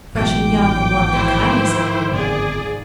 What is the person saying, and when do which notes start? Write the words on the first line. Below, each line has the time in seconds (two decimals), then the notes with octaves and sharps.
'Fresh and young in warmth and kindness, I mean.
0.15 A1 G#2 B2 D#3 F3 F#3 G5 D6
1.11 E3 E4 C5
2.12 G1 C3 G#4 D5